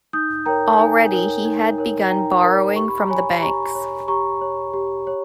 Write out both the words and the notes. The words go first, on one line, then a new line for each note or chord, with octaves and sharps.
Already he had begun borrowing from the banks.
D#4 D#6 G6
A#4 C#5 G5 A#5
D#4 G#5
A#4 C#5
D#4
A#4 C#5
D#4 G5 A#5
A#4 C#5
G4 C#6
B5
A#5
C#5 G#5 B5
G4 A#5 C#6
C#5
G4 A#5 C#6
C#5
G4
C#5